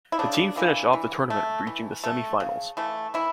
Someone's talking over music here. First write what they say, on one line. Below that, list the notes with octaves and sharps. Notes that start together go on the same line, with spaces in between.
The team finished off the tournament reaching the Semi-Finals.
E4
C#3 D4
E3 A#3
E3
A3
E3
A3
C#3
E3 A3
E3 E4